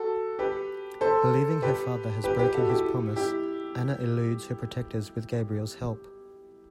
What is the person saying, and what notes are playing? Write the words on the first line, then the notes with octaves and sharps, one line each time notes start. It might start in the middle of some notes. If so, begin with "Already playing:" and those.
Believing her father has broken his promise, Anna eludes her protectors with Gabrielle's help.
Already playing: F#4 A4
G4 B4
A4 C5
G4 B4
G4 B4
G4 B4
F#4 A4
E4 G4
E4 G4